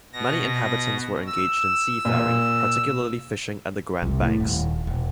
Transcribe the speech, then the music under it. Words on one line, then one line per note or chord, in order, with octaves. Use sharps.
Many inhabitants were engaged in seafaring, particularly fishing at the Grand Banks.
B2 A#6
E6
A#2
C2
A2
D#1
E1